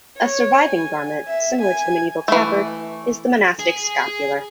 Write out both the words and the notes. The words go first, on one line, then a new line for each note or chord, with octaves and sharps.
A surviving garment similar to the medieval tabard is the monastic scapular.
C#5
G#5
E5
G#5
E3 A3
G#4